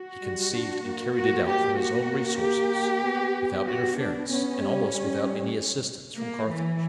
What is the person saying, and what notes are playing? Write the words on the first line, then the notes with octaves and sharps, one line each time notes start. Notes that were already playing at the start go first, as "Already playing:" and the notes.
He conceived and carried it out from his own resources, without interference and almost without any assistance from Carthage.
Already playing: F#4
G3
D4
A#3
A#3 F#4
G4
F#4
G4
B3
F#4
D4
B3 C#4
G3
G3
A#3
E3